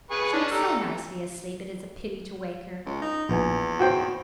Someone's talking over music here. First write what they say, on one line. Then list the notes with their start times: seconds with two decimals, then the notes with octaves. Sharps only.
She is so nicely asleep, it is a pity to wake her.
0.11 G#4 B4 C#6
0.33 C#4 D4
0.51 G3 A4 A#5
2.86 C#2
3.02 D#4
3.29 A#1 E2 B3 G#5
3.80 F#4 C5 G5